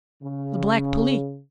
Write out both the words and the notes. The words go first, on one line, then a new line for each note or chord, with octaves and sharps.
The Black Police.
C#3